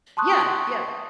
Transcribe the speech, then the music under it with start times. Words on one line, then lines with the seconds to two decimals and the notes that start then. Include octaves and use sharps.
Yeah, yeah.
0.17 A5 C6 C#6 D#6 F#6